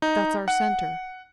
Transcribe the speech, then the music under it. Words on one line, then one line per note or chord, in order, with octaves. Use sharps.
That's our center.
D#4
F#5